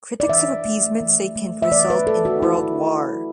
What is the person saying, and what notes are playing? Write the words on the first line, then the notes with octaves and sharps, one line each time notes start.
Critics of appeasement say it can result in world war.
D5
E3 E5
A3
E3
A3
E5
E3 D5
B4
A3 A4
F#4
E3 E4